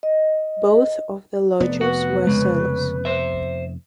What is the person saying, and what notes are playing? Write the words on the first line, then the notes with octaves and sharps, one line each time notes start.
Both of the lodgers were sailors.
D#5
F1 B3 D5
F#4 B4
C#3 G#3
C5 E5